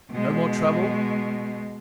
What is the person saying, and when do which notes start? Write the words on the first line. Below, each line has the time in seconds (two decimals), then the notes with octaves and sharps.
No more trouble?
0.11 B2 G#3